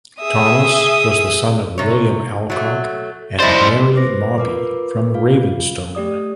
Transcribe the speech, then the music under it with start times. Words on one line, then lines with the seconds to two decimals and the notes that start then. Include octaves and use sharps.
Thomas was the son of William Alcock and Mary Mawbey from Ravenstone.
0.20 G#4 E5 D#6
1.78 C3 C#5
2.50 F#3 A3
3.40 E4 C5 D5 D#5
3.95 B4 C5 D6 A#6
4.38 F4 A#4 B4 D6
5.14 F4 F5
5.95 A3 G4 D5 D#6